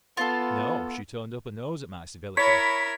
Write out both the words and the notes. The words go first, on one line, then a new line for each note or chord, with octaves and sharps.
No, she turned up her nose at my civility.
B3 F4 A4
E4 A#4 C#5 B5 B6